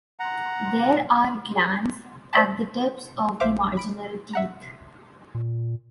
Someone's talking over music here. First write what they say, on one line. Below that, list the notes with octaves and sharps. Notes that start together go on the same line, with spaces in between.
There are glands at the tips of the marginal teeth.
F#5 A#5
C5 D5 E5 G5 A5
A#1 C5 E5 F5 D6 F6
B5 D7
E5 F#5 A#5
A#2